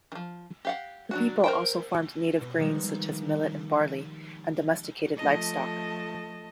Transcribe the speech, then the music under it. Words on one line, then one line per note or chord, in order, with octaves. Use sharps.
The people also farmed native grains such as millet and barley, and domesticated livestock.
D#3 F3
G4 F5 F#5
F#3 D4 F#4
A#4 C5 G5
B2
D#3 F3 G3 G#3
F3 A3 D#5 A5